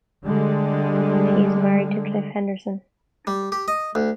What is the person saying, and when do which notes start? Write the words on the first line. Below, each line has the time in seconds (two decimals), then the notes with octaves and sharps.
She is married to Cliff Henderson.
0.25 D3 G3 G#3
3.27 G3
3.52 G4
3.68 D#5
3.95 D2